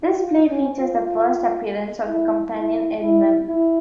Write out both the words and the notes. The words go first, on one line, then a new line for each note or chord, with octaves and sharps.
This play features the first appearance of the companion Erimem.
F4
C#4
F4
E4
E4
E4
E4